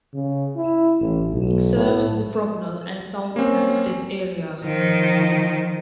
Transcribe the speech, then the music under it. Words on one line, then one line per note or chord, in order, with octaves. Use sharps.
It serves the Frognal and South Hampstead areas.
C#3
E4
A1
B1
A2
A#3 C4 C#4
D#3 F3